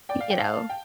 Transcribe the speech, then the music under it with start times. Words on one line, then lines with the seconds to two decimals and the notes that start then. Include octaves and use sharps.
you know,
0.09 D5 G5
0.21 F5
0.30 G5
0.39 F5 A5
0.70 G5